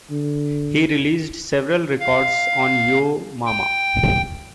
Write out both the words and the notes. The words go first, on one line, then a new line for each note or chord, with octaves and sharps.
He released several records on Yo Mama.
D3
F5
G5